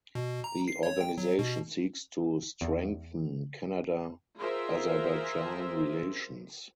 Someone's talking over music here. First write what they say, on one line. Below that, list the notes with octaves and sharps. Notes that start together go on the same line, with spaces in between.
The organization seeks to strengthen Canada–Azerbaijan relations.
B2
A#5
C7
C#5
G5
F#3
B2
E2
F4 G#4 A#4 C5 E5